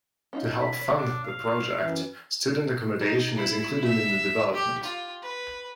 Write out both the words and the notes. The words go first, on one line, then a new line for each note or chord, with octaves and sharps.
To help fund the project, student accommodation is included in the development.
C#4 D#4 F4
B5
C#5
D4
F5
F#2 E3 E5
D#4
E4
E5
G4
F4
B4